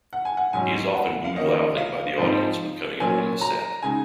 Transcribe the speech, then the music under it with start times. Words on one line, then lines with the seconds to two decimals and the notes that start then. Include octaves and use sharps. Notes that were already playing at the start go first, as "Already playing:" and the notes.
He is often booed loudly by the audience when coming out on the set.
0.13 F#5
0.25 G#5
0.37 F#5
0.53 G#2 F#3 C#4 G#5
0.95 F#5
1.24 F5
1.36 D#3 A#3 C#4 D#5
1.77 F5
2.18 G#2 F3 C4 D#4
3.00 A#2 F#3 C#4 G#5
3.41 A#5
3.82 C#3 G#3 D#4 G#5